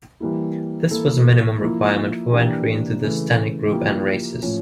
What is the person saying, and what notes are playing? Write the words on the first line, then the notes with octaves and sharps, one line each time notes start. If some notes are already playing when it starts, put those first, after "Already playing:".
This was a minimum requirement for entry into the Stannic Group N races.
E3 G3 A#3 E4
E3 A#3 E4 A4
F3 A#3 E4
E3 A#3 D4 G4
C#3 E3 A3
F3 A#3 E4 G4
A2 F3 C#4